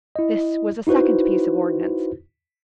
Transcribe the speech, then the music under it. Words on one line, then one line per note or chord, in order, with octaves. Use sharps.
This was a second piece of ordnance.
E4 D#5
D#4 E4 F#4 B4 C5